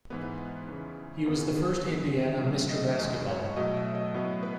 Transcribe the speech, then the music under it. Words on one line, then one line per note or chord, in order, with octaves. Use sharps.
He was the first Indiana "Mr. Basketball".
G#2 E3 B3 B4
E2 C#3 E3
E2 C#3 E3 B3 A4
G#2 E3 B3
C#3 F#3 A3 B4
D#5
E2 C#3 G#3 D#5
C#5
B2 F#3 A3 D#5
E5
D#5
A2 F#3 B3 D#5
B4